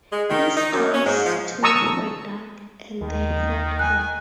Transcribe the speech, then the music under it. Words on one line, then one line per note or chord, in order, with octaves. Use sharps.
His eyes, too, were dark, and they hurt her.
G#3
D#3
D#4
F#2
C#4
G#2
F3
A5 A#5 C#6 D#6 E6
D#2 D#3
G#5 F#6